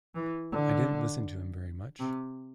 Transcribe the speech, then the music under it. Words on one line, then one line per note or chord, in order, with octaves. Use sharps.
I didn’t listen to him very much.
E3
D3
C3